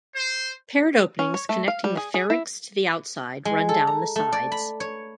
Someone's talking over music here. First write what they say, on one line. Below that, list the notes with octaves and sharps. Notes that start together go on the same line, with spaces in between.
Paired openings connecting the pharynx to the outside run down the sides.
C5
C#4
C#5
A3
F5
G3
G#4
G#4
E4
G#3
A4
A#5
A3
D5
B5
C#5